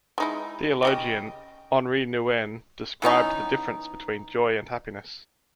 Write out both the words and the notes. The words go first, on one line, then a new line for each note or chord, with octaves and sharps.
Theologian Henri Nouwen described the difference between joy and happiness.
G#3 D#4 E4
C#3 G4 D#5
E3 B3 C#4 D#4